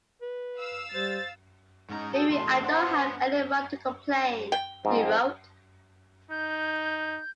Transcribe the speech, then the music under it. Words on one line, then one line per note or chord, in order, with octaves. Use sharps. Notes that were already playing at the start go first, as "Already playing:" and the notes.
"Maybe I don't have any right to complain," he wrote.
B4
F5 E6
G3 C5 A6
G#2 G#3 C#4 D#4 A#5
F#4 G#4 A4 G5
E2 B2 A3 C6
B3 D4 C5 F#5 C6
G5
G#2 F3 C4
D#4 G6